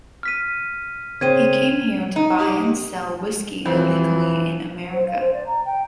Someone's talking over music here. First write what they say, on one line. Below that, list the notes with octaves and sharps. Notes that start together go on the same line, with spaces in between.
He came here to buy and sell whiskey illegally in America.
F6 B6 D#7
C#3 C4 G#6 D#7
D#4
G4
F2 E3 C4
C5
F5
C5
D5
A#5
G5